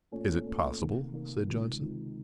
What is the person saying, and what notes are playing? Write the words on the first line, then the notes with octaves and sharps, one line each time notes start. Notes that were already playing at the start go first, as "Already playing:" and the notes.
"Is it possible?" said Johnson.
A#2 A3 C#4
A#2 A3 C#4
C3 D#3 A#3
C3 D#3 A#3
C#2 C3 D#3
C#2 C3 D#3